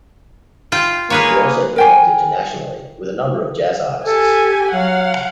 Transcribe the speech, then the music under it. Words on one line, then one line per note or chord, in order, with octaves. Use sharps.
He also performs internationally with a number of Jazz artists.
F4 G5
A#3 G#4 B4 C#5
A#4 G5 G#5
G4 A4 G#5
F#3 F5 F#5